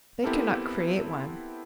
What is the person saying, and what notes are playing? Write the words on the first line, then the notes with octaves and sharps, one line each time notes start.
They cannot create one.
B3 C4 E4 G4 A4 A#4